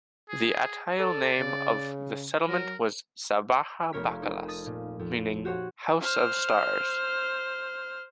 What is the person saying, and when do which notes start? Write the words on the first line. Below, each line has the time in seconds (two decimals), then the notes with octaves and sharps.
The Atayal name of the settlement was Sabaha Bakalas, meaning "house of stars".
0.30 G#4
0.99 A4 D5
1.40 C#3
2.48 F#3 A#4
3.92 F1 F2 A#4 C#5 F6 B6
4.22 C4 D#4
4.48 D#6 A6 D#7
4.66 A#2
4.99 F2
5.45 F#4 G4 C5 C#5 F#5
6.00 C5 F6